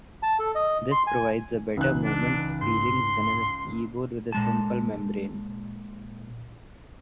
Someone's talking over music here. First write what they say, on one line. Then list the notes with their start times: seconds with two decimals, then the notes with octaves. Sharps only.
This provides a better movement feelings than a keyboard with a simple membrane.
0.23 A5
0.39 A4
0.55 D#5
0.92 C6
1.07 G#5
1.77 C#2 E3 D#4 F#6
2.04 D4
2.62 G#2 C6
4.32 A#2 G#3 A5